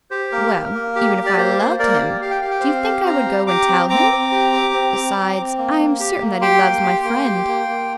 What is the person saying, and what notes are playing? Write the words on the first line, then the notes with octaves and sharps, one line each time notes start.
"Well, even if I loved him, do you think I would go and tell him? Besides, I am certain that he loves my friend."
G4 C5
A#3 A#4
A#3
A#3
G4
G4
D5
A#3 C5
A#3
A#3 A#4 D5
G4
G4 F5
G5
G4 F5
G5
C4 C5 F5
G4
C4 F5 A#5
G4
G4 A#5 D6
C4
C4 A#5 D6
C4
G4
G4
C4
C4
C4
C4
A#3
A#3
G4
A#3
G4 G5 C6
A#3
G4
A#3
G4
A#3
A#3